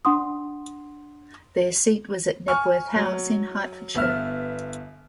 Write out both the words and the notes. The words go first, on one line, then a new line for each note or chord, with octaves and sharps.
Their seat was at Knebworth House in Hertfordshire.
D4 F#5 C6 D#6
G#5 C#6 F6
F#3
G1 B3 E5 F6